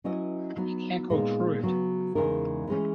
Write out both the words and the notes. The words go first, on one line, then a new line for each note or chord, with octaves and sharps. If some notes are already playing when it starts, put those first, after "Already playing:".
You can't go t'rough it.
F#3 C#4 E4 B4 D#5
F#3 B3 D#4 F#4
A#2 G#3 B3 D#4
C#3 F#3 B3
E2 C#3 G#3 D#4 A#4
E3 G#3 C#4